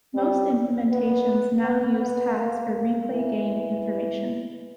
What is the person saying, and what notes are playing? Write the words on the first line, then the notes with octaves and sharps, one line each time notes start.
Most implementations now use tags for ReplayGain information.
G3
B3
B3
B3
A#3
A#3
E3